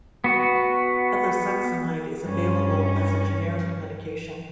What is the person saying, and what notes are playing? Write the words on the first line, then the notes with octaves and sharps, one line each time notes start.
Ethosuximide is available as a generic medication.
B3 F#4
G2 C#4